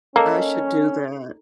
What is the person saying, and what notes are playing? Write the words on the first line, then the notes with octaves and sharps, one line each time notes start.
I should do that.
A#3 C#4 D#4 A4